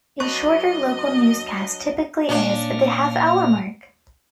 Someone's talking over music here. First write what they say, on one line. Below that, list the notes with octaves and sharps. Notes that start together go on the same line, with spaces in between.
A shorter local newscast typically airs at the half-hour mark.
F#3 D4 B4 D#5 C#6
A#2 A#3 C#4 D4 F5